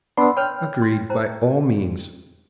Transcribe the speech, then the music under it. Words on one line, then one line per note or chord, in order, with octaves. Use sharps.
"Agreed, by all means."
B3 D4 B5 C6 E6
A#4 C#5 G5 C6 F6
C6
C5 A5 A#5